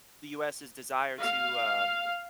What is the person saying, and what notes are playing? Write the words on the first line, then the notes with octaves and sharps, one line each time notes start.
the US's desire to, uh
F5